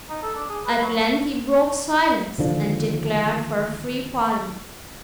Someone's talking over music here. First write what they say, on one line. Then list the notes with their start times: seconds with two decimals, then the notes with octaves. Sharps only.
At length he broke silence, and declared for a free Parliament.
0.09 D#4
0.23 A4
0.35 D4
0.49 G#4
0.66 B4
0.82 F#3
2.38 D#2 D3 F3 D4